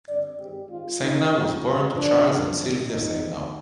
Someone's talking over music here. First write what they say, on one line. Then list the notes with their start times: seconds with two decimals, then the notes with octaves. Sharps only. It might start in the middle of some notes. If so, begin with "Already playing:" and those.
Samenow was born to Charles and Sylvia Samenow.
0.08 G2 D3 G3 C4 D5
0.39 G2 D#3 G#3 C4 G4
0.70 G#2 D#3 G#3 C4 F4
1.01 C3 D#3 A#3 D#4
1.33 G2 F3 C4
1.64 C3 F3 G#3
1.95 F2 D3 F3 A#3 D4
2.27 D#2 D3 F3 A#3
2.58 D#2 D#3 G3 C4
2.88 D#2 D#3 A#3 D#4
3.21 F2 C3 G3 C4